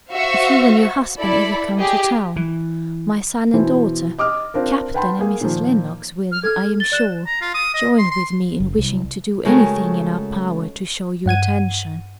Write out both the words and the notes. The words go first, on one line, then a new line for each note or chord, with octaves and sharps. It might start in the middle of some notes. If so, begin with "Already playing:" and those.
If you and your husband ever come to town, my son and daughter, Captain and Mrs. Lennox, will, I am sure, join with me in wishing to do anything in our power to show you attention.'
F#4 C5 E5 F5 C#6
E4 A4 D5 B5
G4 G#4 D#5
E3
B2 E3 C5
D#5 D6 D#6 F6
C4 D4 F4 A#4
B4 F#5 G5 A5 B5 C6
A#3 G#4
A#2 D#3 F3
F6
A4 F6 G#6
A6 G7
D5 F#6 E7
A#5
F4
D#6
D#5
C6
C6
F#1
C2
C#3 G#3 A3 F#4 A#4 G5
G2 F#5 G#6 D#7